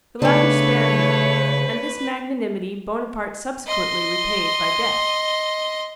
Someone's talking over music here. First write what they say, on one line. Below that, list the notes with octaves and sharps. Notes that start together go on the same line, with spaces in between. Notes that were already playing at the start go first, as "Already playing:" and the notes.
The latter spared him, and this magnanimity Bonaparte subsequently repaid by death.
C#3 A3 B3 D4 B4 C#5
D#5 C6